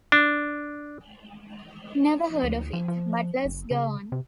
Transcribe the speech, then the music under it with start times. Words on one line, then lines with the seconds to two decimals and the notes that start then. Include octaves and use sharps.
Never heard of it, but let's go on.
0.12 D4
2.43 D2
2.73 F3
2.88 F3
3.45 F#1
3.71 C#3
4.12 C3